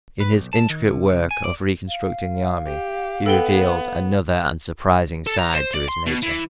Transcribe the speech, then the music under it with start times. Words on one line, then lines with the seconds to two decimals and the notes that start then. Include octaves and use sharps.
In his intricate work of reconstructing the army, he revealed another, and surprising side to his nature.
0.20 B4
0.33 B1
0.53 A5
0.70 D#3
0.87 C3
1.12 C3
1.31 G#5
1.44 D5
1.88 F5
2.67 G4
3.26 B3 A4 G5 G7
5.27 A4
5.39 A#5
5.54 C5
5.74 D5
5.88 C6
6.06 B2
6.23 E3